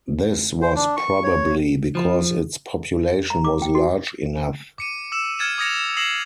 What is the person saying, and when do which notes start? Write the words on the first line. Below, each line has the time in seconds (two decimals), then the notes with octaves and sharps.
This was probably because its population was large enough.
0.62 C5
0.75 D4
0.96 C#6
1.24 C#5
1.95 F3
3.30 A#5
3.45 D6
3.62 G5
3.75 F#4
4.78 D6 C#7 D#7
5.12 D6 E6 E7
5.39 F6 G#6 A6 C#7 E7
5.58 D6 D#6 G#6 A#6 C#7 F7
5.97 D#6 A#6 C7 E7 F#7